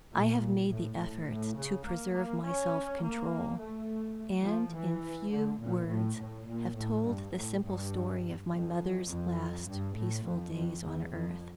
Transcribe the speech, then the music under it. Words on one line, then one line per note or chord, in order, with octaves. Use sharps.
I have made the effort to preserve my self-control; and in few words have told the simple story of my mother's last peaceful days on earth.
A#2
A2
A2
A2
C#3
A#3
A#3
C#4
A#3
A3
F3
E3
D3
A#2
A2
A2
A#2
A2
G2
A2
G2
F2
F2
G2
A2
F2
F2
E2
F2